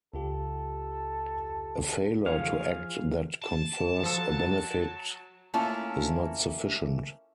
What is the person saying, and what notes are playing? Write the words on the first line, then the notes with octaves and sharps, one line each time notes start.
A failure to act that confers a benefit is not sufficient.
C#2 F4 G4 A4
F3 F4 G#4 C#5 F5
A5
F3 F#3 A4
A3 A#3 C#4 E4 F4